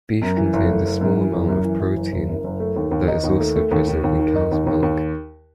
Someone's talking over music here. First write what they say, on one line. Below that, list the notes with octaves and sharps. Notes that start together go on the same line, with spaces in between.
Beef contains a small amount of protein that is also present in cow's milk.
F#2
E3
F#1
A3
F#1
F#2
E3
F#1
F#2
E3
E3
F#1
F#1
F#2
F#1
A3
D#2
D#2
D#4
D#2
A3
A3
D#2
D#3
D#2
D#3
D#4
D#2
D#2
D#2